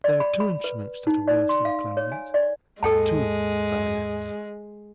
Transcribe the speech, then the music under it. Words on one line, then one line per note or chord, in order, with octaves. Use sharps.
There are two instruments that are worse than a clarionet--two clarionets.
D5
B5
B5
B4
D#4
D5
C6
F5
C#5
G#5
D5
D#2 G#2 G#3 A#3 A4 G5 A5